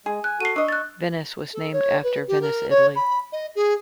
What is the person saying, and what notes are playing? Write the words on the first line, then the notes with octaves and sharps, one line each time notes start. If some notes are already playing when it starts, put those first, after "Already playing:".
Venice was named after Venice, Italy.
G#3 G#4
G#5 F#6
F#4 A4 C7 D#7
D4 D#5 C#6 E6
F#6 A6
A4
C#5
B4
G4
A#4
C#5
B5
D#5
G#4